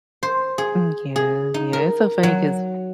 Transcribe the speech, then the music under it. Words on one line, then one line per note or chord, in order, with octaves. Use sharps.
Mm, yeah, yeah, it's so funny 'cause
C5
G#4
G#4
D#4
A#4
F#3